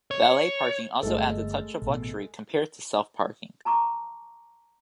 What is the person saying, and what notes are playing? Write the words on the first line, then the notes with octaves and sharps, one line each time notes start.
Valet parking also adds a touch of luxury compared to self-parking.
C#5
G1 G#3 A3 A4
A1 B2
A5 A#5 C#6 D6